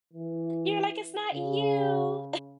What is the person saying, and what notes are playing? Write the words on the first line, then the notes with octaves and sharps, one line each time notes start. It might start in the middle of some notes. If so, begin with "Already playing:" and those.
you're like, "It's not you."
E3
C#3